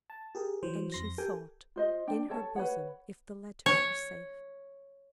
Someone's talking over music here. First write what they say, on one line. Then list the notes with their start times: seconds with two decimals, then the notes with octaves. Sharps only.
And she sought in her bosom if the letters were safe.
0.10 A5
0.35 G4 G#4 A#4
0.63 E3 F#3 C5
0.92 F2 C6 A#6
1.18 G4 A4 A#4 G5 G#5
1.76 F4 C5 D#5
2.07 D4 G5
2.30 A4 C#5 A5
2.56 B4 C#5 F#5
3.66 C#5